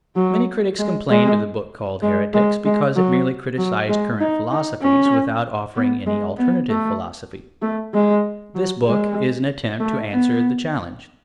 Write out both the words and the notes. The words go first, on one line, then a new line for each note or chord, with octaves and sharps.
Many critics complained of the book called "Heretics" because it merely criticised current philosophies without offering any alternative philosophy. This book is an attempt to answer the challenge.
F#3
G#3
G#3
G#3
G#3
G#3
F#3
F#3
G#3
D#4
D#4
C#4
B3
G#3
B3
A3
A3
G#3
F#3
G#3
A3
B3